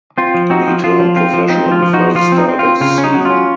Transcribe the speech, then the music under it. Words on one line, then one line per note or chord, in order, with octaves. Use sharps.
He turned professional before the start of the season.
C4 F4
F3
C4 D#4 F#4
F3
F3 F4
F3
C4 F4
F3
C4 D#4
F3
F4
F3
F3 D#4 F#4
F3 F4
C4
D#4
C4
F4
C4
C#3 F4
C#4
D#4
F#3
F4
C#4